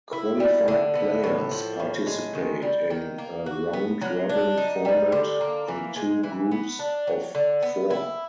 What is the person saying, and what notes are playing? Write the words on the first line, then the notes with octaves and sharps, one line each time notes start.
Qualified players participate in a round-robin format in two groups of four.
E4
G3
D3
B3
A2
F3
A2
G#3
D#3
G3
D#3
A#3
F#4
B3
F#3
D4
D#4
G3
D3
A#3
E3
G#3
E3
B3
D4
F#3
D3
B3
E4